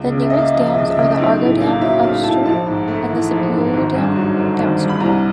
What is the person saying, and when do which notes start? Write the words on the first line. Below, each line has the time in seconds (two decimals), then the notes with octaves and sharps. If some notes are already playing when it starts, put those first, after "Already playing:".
The nearest dams are the Argo Dam upstream and the Superior Dam downstream.
Already playing: C#2
0.12 C#3
0.22 E5
0.30 A#3 D#5
0.38 E5
0.54 F3 D#5
0.66 E5
0.76 C#2 D#5
0.91 E5
0.96 C#3
1.02 D#5
1.15 B1 E5
1.26 D#5
1.39 A2
1.60 A#3
1.81 F#3 E5
2.03 B1 F5
2.24 A2 A5
2.45 A#1 A5
2.67 G#2
2.88 A3
3.09 E3
3.31 A#1
3.52 G#2
3.73 G#1
3.94 G2
4.16 F#3
4.37 D3
4.58 G#1
4.79 G2
4.89 B5
5.00 C2 A#5